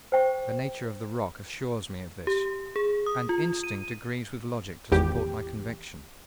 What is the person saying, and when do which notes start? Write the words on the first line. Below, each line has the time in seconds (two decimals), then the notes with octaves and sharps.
The nature of the rock assures me of this, and instinct agrees with logic to support my conviction.
0.12 C5 G5 C#6
2.27 G4
2.76 G#4
3.06 D#6
3.29 F4
3.64 D#7
4.92 G#1 E2 G4